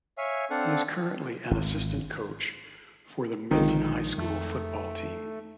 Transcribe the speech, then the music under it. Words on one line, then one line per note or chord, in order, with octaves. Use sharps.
He is currently an assistant coach for the Middleton High School football team.
C#5 E5 F5 G#5
C4 D4 A4 F5 F#5
G#1
A#1 D3 D#3 G#3 F4
F2 A3